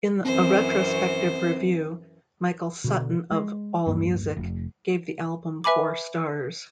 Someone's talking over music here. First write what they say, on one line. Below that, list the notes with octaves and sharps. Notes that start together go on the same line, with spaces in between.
In a retrospective review, Michael Sutton of AllMusic gave the album four stars.
F#2 E3 C4 C5
B2 D3
G#3
D1 G2 A#3
F1
B4 E5 G#5 B5 D6